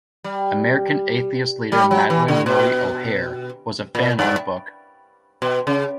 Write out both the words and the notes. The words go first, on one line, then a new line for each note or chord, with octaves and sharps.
American Atheists leader Madalyn Murray O'Hair was a fan of the book.
G3
G3
F#3
E3
D3
B2
A#2
G2
B2
C#3